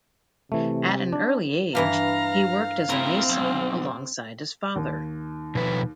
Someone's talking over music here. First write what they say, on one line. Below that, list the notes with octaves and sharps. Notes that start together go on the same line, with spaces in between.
At an early age, he worked as a mason alongside his father.
C3 E3 A3
D4
G2 E3 E4 F5 A#5
A2 C4 E4 A#4 A#5
B1
D#2
B2 F3 B4